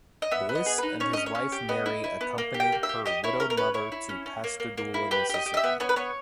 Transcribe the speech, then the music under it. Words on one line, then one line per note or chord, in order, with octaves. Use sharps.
Bliss and his wife Mary accompanied her widowed mother to Pascagoula, Mississippi.
D#5
B3 E5
B3
D#5
G#4
D#4 B4
C#4 C#5
C#4 D#5
C#5
C#4
G4
B3 D#5
E4
E4
B3
A#3
G4
G5
A#3
E5
G4
G4 D#5
E4 C#5
C#4 A#4
A#4
C#4 B4
E4 C#5
E4
C#4
C#4
A#3
A#3
A#3
E4
G4 B4
G4 D#5
G4
D#5
E5
B3
B3 C#5
B4
B3 C#5